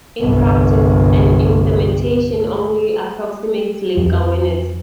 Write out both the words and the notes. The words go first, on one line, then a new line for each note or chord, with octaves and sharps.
In practice, an implementation only approximates link awareness.
G1 C2
F2